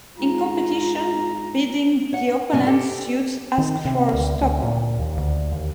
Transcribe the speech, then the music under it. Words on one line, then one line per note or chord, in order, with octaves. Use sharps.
In competition, bidding the opponent's suit asks for a stopper.
G#2 F4 A#5
C#5 F#5
C#4
G2 C3 C4 C#4 D#5 G#5
G4 A4 C5
D#3
C3
D2
D2
A#2
D#2
D2
D#2